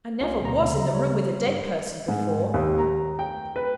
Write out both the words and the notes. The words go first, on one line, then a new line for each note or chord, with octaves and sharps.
'I never was in the room with a dead person before.'
C2 C#4 F4
D2 B2 A#5
C#3
G3 C#5
G2
G#2
D#2
A#5
G5
B4